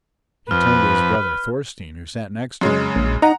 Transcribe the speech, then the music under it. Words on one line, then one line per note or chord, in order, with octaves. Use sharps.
He turned to his brother Thorstein who sat next to him.
F2 B4 F6
F#2 C#3 G#3
A#1
D#4 F#5 A#5